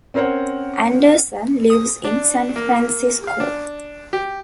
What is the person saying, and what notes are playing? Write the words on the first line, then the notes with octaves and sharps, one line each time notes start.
Anderson lives in San Francisco.
C4 C#4 A#4 C5 C#5 F#5
D#6
D4
A#3
F5
D4
G4